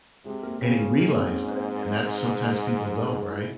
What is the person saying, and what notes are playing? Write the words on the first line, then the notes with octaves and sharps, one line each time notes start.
and he realized that, and that sometimes people don't, right?
C3 G#3 G#4
A#3 A#4
C#3 C4 C5
C#4 C#5
G#4
G#2 A#3 A#4
C4 C5
C#4 C#5
C4 C5
G#3 G#4
E4